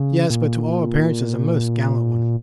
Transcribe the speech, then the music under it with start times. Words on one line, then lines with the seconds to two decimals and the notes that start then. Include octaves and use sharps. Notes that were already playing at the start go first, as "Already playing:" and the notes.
"Yes, but to all appearances a most gallant one."
Already playing: C#3
0.30 A#2